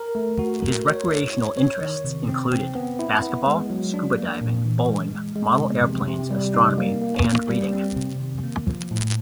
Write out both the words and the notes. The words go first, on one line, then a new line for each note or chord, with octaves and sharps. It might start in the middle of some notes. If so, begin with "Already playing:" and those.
His recreational interests include basketball, scuba diving, bowling, model airplanes, astronomy and reading.
Already playing: A#4
A3
F#4
A#4
C#5
E4
C#5
C#5
D#3
C3
C4
C4
B3
E4
B3
G#3
F#3
D4
A#3
A#2
E3
G#3
G#3
G#3
C3
C3
C3
G3
D#4
A#3
A#3
A#3
G3
C4
C3
D#3
A#3
F3
A2